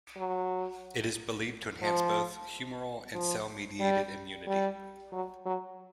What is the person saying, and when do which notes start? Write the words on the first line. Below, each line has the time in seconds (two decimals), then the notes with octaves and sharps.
It is believed to enhance both humoral and cell-mediated immunity.
0.17 F#3
1.82 F3
3.14 F3
3.80 G3
4.47 G3
5.13 F#3
5.46 F#3